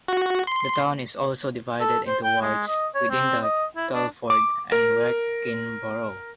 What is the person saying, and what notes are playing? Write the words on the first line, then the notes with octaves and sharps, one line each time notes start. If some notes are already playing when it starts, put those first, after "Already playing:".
The town is also divided into Wards, within the Telford and Wrekin borough.
F#4
C6
A4
C5
G5
G#3
D#5
C#5
C4
D#5
E4
D4
D6
A#4